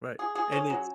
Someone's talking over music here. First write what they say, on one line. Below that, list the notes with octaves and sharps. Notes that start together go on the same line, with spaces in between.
Right. And it's
G#4
G#4
C#4
F#3